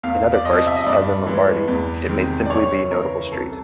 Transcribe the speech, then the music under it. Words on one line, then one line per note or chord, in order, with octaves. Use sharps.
In other parts, as in Lombardy, it may simply be a notable street.
E2 F5
D5
C3 F3 D#5
E5
D#5
G2 D5
E3 G#3
E2
C3 D#3 G#3
D5
F#2 C#5
C#3 E3 A#4
C2 A4